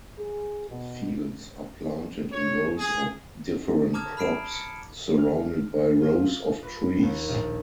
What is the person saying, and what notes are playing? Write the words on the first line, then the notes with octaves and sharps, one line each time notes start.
Fields are planted in rows of different crops surrounded by rows of trees.
G#4
B2
C#5
G#4
A5 A#5 D6 D#6 F6 G#6
B5 F6 C7 D7 E7
C#7
F6
F4
B4
D#2
A#1